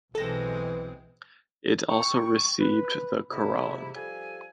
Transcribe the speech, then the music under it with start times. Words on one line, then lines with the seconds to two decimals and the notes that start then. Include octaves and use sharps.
It also received the Kerrang!
0.15 B1 E3 G#3 C4 A4 A#6
1.89 G5 C#6
2.59 B4
3.30 F2 G#2 C3 B3 E4
3.94 F3 G3 A4 G#5